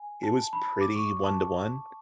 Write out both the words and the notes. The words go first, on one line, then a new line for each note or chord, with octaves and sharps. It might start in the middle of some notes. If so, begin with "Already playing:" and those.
it was pretty one-to-one,
Already playing: G#5
A5
B5
D6
C#6
A5